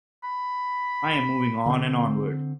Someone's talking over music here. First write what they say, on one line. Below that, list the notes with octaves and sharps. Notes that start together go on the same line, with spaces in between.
I am moving on and onward.
B5
D3 C4